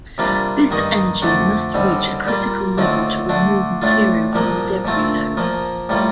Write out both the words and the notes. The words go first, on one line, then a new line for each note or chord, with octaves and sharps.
This energy must reach a critical level to remove material from the debris lobe.
C3 G3 A#3 D4 F4
G2 D#3 A#3 D#4
F2 D3 A3 D4
D#2 D3 G3 C4
A#2 G3 A#3 F4
D#2 D3 A3 C4 F4
D3 A3 D4
A2 A3 D4 F4
C2 A#2 F3 A#3
A#2 A3 C4 F4
A#2 F3 A#3
A2 G3 A#3 F4